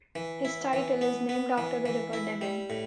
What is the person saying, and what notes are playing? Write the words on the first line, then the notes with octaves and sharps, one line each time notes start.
His title is named after the River Deben.
E3
E4
E3
B3
B3
E3
E3
E4
G3
A2